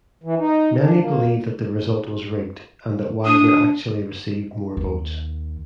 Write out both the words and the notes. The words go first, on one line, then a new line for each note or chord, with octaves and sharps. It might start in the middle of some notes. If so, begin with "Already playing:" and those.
Many believe that the result was rigged, and that Wagner actually received more votes.
E3
D#4
D4
A#3
D4 D#6
D#2